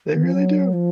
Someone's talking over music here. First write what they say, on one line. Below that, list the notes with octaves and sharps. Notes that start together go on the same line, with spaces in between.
they really do.
D#3
F3
F#3
F3